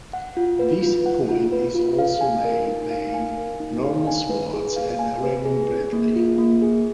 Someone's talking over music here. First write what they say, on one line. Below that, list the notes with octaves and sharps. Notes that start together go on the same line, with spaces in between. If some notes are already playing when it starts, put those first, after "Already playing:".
This point is also made by Norman Swartz and Raymond Bradley.
F#5
F4
B4
F4
F#5
F4
B4
F4
F5
G#5
A#4
D#4
F5
G#5
A#4
D#4
F5
G#5
B4
G#4
F5
G#5
B4
G#4
G#4
A#3
F4
A#3
G#4